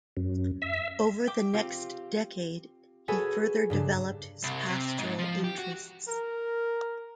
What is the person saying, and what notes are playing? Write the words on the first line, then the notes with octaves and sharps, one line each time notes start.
Over the next decade he further developed his pastoral interests.
F#2
E5
G5 D6
C4 F4 G4
F#4 G#4 A4 B4 C#5 G#5
G2 C#3 D4
C2
C3
G#2
F3
G4
F#4
A#4